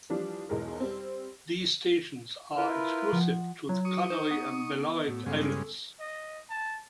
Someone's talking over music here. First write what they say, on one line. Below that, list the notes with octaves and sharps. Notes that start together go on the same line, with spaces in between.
These stations are exclusive to the Canary and Balearic Islands.
E3 F3 G3 D4
B1 E2 G#3 A#4
G3 C4
E4 F4 A#4 B4
F3 F#5
F#3 F4
F#4 C#6 D#6
D#4 C5
B3
A2 F#4
G2 C#3 G#3 A4
D#5
A5